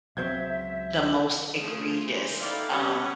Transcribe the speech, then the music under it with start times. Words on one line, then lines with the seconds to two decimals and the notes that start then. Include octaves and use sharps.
the most egregious, um,
0.17 C#2 F#3 C4 C5 E5 G6 G#6
1.57 F3 A3 G#4
2.05 E3 C5
2.37 D#4 E4 A4 D5 F5 G5
2.69 G3 C#4 G4 B4 C#5 F#5